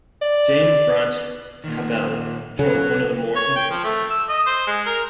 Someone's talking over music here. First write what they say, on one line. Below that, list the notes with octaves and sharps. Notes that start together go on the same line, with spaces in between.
James Branch Cabell chose one of the more interesting.
D5
A#2 D#3
C#3 F#3 A4
C#5
G5
F3
A3
E6
D#5
C5
G#3
A#4